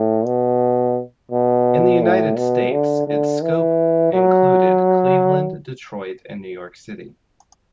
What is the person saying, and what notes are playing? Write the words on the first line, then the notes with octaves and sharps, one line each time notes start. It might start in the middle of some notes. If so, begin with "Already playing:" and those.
In the United States its scope included Cleveland, Detroit, and New York City.
Already playing: A2
B2
B2
A2
B2
D3
D3
E3
F#3